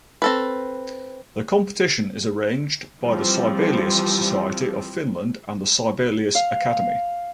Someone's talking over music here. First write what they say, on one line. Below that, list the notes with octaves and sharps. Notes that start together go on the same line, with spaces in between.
The competition is arranged by the Sibelius Society of Finland and the Sibelius Academy.
C4 A4 B4
E3 F3 G3 C4
F5